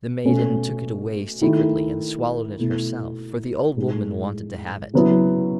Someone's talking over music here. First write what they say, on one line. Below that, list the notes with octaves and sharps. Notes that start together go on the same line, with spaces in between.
The Maiden took it away secretly and swallowed it herself, for the Old Woman wanted to have it.
B2 A3 C#4
D#3 A3 E4
B2 A3 E4
A2 G#3 D#4
C#3 F#3 B3 E4